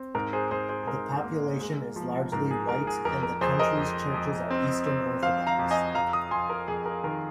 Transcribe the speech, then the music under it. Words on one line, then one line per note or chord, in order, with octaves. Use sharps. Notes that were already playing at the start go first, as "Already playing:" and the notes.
The population is largely white, and the country's churches are Eastern Orthodox.
Already playing: C4
G#2 A#4
G#4 C5
G#2 G#4 C5
G#4 C5
G#4
G#2 A#4
A#3
G#3
F3
G#2 A#4
G#4
G#2 A#4
G#4
F2 A#4
A#4
F2 G#4 C5
A#4 D#5
F2
F2
C4
C4
F2 C5 F5
F5 A#5
F2
D#5 G#5
F2 F5 A#5
A#5 D#6
F2 G#5 C6
A#4
F2 G#4
A#4
D#3 A#4